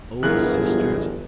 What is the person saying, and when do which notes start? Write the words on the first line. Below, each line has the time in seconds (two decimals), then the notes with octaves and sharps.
Oh! sisters!
0.23 D1 G1 E3 B3 F4 G#4 A#4 F#6